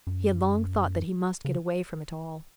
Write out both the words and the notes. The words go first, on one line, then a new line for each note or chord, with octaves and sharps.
He had long thought that he must get away from it all.
F#2
C#3